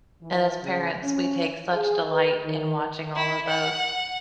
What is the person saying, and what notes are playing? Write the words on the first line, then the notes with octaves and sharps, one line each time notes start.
And, as parents, we take such delight in watching all of those.
E3
C#3
C#4
G#4
B4
D#3
E4
F#5